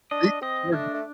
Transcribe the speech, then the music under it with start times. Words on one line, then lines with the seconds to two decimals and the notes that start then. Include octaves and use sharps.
Beat the coordinates.
0.11 D4 D#5
0.42 C4 D#5
0.72 A3 D4
0.94 A3